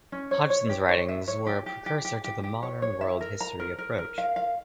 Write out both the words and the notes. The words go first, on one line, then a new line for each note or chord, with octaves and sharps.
Hodgson's writings were a precursor to the modern world history approach.
C#4
C#5
C#5
G4
C#5
E5
C#5
G4
G4
G4
G4
G4
G4
C#5
C#5
E5
A#4
A#5
A#4
A#4
A#4
F5
F5